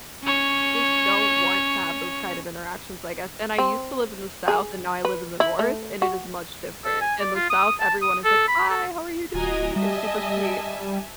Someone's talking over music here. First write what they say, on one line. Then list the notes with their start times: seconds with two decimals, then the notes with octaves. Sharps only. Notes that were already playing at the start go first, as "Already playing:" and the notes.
just don't want to have those kind of interactions, I guess, and I used to live in the South, and now I live in the North, and it is much different. In the South, everyone is like, "Hi, how are you doing?" and super sweet,
0.23 C#4 C#5
3.58 C4
4.48 G#4
5.05 B4
5.40 E4
5.59 A3
6.02 F#4
6.85 A4
7.01 G#5
7.20 D5
7.36 F4
7.50 D#6
7.80 A5
8.02 D#6
8.24 A4
8.48 B5
8.70 A4
9.34 D1 F#4 D#5 G#5 A#5 G#6
9.76 G3 D#5 E5 G#5 A5